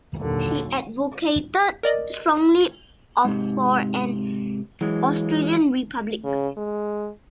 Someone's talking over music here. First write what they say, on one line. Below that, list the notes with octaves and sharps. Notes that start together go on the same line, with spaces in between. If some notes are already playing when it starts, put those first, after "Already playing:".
She advocated strongly for an Australian republic.
D#2 A#2 D3 F#3
A#4 D5 D#5
G#2 C3
E3 F#3 G#3
C#3
G#3